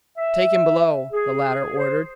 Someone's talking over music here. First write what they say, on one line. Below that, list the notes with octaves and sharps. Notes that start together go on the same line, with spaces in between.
"Take him below!" the latter ordered.
E5
G#4
C5